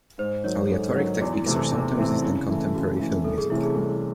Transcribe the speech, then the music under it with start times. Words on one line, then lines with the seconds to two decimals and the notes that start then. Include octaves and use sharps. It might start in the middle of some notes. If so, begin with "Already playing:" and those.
Aleatoric techniques are sometimes used in contemporary film music.
0.18 G#2 C5
0.44 D#3 F#3 C#5
0.69 G#2 A4
0.96 D#3 F#3
1.21 E2 F#4
1.33 E4
1.46 C3 E3 A3 C4 E4
1.59 E4
1.72 E2 D#4
1.98 C3 E3 A3 C4
2.22 C#3 E4
2.49 E3 A3
2.74 C#3 F#4
3.00 E3 A3
3.24 C2 A4
3.38 G#4
3.50 C3 E3 A3 C#4 E4
3.63 G#4
3.76 C2 G#4